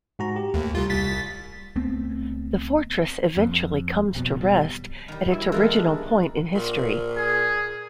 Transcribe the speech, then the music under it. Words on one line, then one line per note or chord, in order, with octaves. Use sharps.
The fortress eventually comes to rest at its original point in history.
G#2 F#4 A#5
G4
D#2 A3
C2 G3 F4
C2 A6 B6
C#2 A3 B3 C4
F2
G#1 F2 B2
D#2 B2 G3
D#3 G3
G2 F#3 E4
E3 G#3 A#3 B3 A4 A#4
D4
A#2
G#4